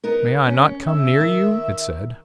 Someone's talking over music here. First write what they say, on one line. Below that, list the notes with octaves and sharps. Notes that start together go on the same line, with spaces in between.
"May I not come near you?" it said.
B3 D#4 A#4
C#4
E5
D#3